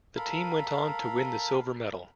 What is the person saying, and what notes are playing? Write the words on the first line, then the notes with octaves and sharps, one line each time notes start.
The team went on to win the silver medal.
A4 A#4 F5 B5